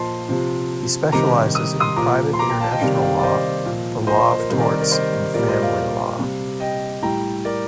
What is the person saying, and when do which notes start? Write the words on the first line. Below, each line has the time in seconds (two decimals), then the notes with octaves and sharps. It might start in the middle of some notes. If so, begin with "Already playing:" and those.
He specialises in private international law, the law of torts and family law.
Already playing: A#2 F3 C5 D#5 A5 C6
0.28 C3 F3
1.12 C3 D#3 G3 A#5 D6
1.55 D#6
1.80 C6 D#6
1.96 A#2 F3 A#5 D6
2.33 C6
2.39 A#5 D6
2.49 G5 A#5
2.60 F5 A5
2.71 D#5 G5
2.81 C3 D#3 G3 D5 F5
2.94 G5
3.02 D5 F5
3.19 D5
3.23 C5 D#5
3.65 A#2 F3
4.07 C5 D#5
4.18 C5
4.39 A#4
4.50 C3 D#3 G3 C5
4.60 A#4 D5
4.81 A#4 D5
4.91 C5 D#5
5.34 A#2 G3 A#4 D5
5.48 C5 D#5
5.62 D5 F5
6.19 C3 G3
6.60 D#5 G5
7.02 A2 G3 G5 A#5
7.45 A#4 D5